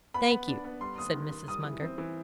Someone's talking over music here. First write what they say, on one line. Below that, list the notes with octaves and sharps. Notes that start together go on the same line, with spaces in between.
"Thank you," said Mrs. Munger.
B3 B5
B3
D4
B3
G3 C6
D#2 D#6
D#3
D#3
G3 D#6
E3
C4
E3